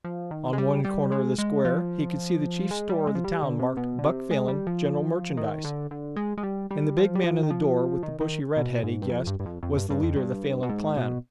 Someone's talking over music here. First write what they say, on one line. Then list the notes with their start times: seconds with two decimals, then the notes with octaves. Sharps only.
On one corner of the square he could see the chief store of the town marked "Buck Falin--General Merchandise," and the big man in the door with the bushy redhead, he guessed, was the leader of the Falin clan.
0.04 F3
0.31 D#3
0.53 G#3
0.58 G3
0.85 G3
1.12 G#3
1.38 G#3
1.65 F3
2.71 G#3
2.89 G3
3.07 G#3
3.15 F3
3.24 G3
3.43 D3
3.59 C3
3.77 B2
3.99 D3
4.04 C3
4.31 G#3
4.48 G3
4.67 F3
5.37 D#3
5.64 D3
5.91 D3
6.16 G#3
6.37 G#3
6.43 G3
6.71 G3
6.97 F3
7.15 G3
7.24 F3
7.43 D#3
7.50 F3
8.03 D#3
8.21 D#3
8.57 B2
8.84 G#2
9.02 G2
9.10 F2
9.27 G2
9.40 G2
9.46 F2
9.63 F2
9.77 G2
9.90 G2
10.03 F2
10.16 G2
10.63 B2
10.69 G#2
10.97 B2